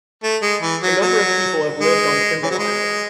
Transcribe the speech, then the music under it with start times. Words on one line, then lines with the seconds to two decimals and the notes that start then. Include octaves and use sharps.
A number of people have lived on Kimball Island.
0.23 A3
0.42 G#3
0.62 E3
0.83 F#3
1.02 F#3
1.80 G#3
2.43 E3
2.51 F#3
2.59 G#3